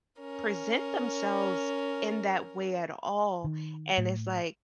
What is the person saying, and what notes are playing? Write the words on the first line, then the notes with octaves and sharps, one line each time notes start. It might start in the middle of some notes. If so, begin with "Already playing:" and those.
present themselves in that way at all," and it's, like
C#4 A#4
D#3
A2